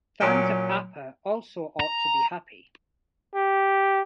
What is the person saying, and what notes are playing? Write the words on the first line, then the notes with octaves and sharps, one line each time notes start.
Fans of Apa also ought to be happy.
A#2 F#3 C#4 D4 A#4 G5
A#5
G4